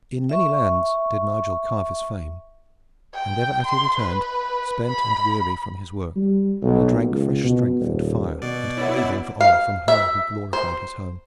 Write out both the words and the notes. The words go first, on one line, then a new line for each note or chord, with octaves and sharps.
In many lands did Nigel carve his fame, and ever as he returned spent and weary from his work he drank fresh strength and fire and craving for honor from her who glorified his home.
E5 C#6
G5
C6
B4
B5
G3
B1
C#2
B2
D#1
B2 D5
C#4 E4 F#4 B4
F5
E5
C5